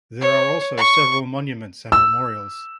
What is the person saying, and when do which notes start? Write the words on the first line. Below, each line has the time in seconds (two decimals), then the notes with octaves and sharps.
There are also several monuments and memorials.
0.21 C#5
0.77 C#6
1.92 E6